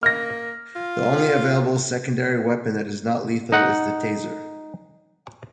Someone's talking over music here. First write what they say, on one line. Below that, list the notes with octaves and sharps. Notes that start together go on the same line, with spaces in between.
The only available secondary weapon that is not lethal is the Taser.
A#3 F6 A#6
F4
D#4 F#5